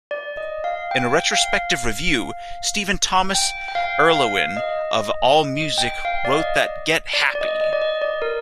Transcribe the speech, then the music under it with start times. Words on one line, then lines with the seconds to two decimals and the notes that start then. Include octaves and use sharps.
In a retrospective review, Stephen Thomas Erlewine of AllMusic wrote that Get Happy!!
0.11 D5
0.37 D#5
0.64 F5
0.91 G5
1.33 F5
3.35 G5
3.68 G5
3.75 F5
4.16 F5
4.57 D#5
5.78 G5
6.05 F5
6.25 D5
6.32 D#5
7.13 D5
7.35 D5
7.41 D#5
7.61 D#5
7.73 D5
7.82 D#5
8.02 D5
8.22 A#4